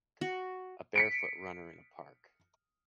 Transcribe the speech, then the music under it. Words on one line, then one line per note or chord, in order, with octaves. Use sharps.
A bare foot runner in a park.
F#4
B6 C#7 D7